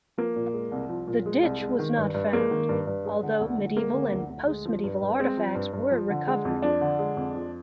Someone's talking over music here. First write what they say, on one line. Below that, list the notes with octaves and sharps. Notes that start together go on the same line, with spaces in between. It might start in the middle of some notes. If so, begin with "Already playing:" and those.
The ditch was not found, although medieval and post-medieval artefacts were recovered.
F3 A#3
A#2
G#3
C2
F3
A#2
G#3
C2
G#3
D#3
G2
G2
G#3 A#3
D#3
G2
G2
G#3
D3
D2
D2
G#3 A#3
D3
D2
D2
G#3
F3
G2
G2
G#3 C4
F3
G2
G2
F3
D3
G#3
F2
F3 D4
D3
G#3
F2
F3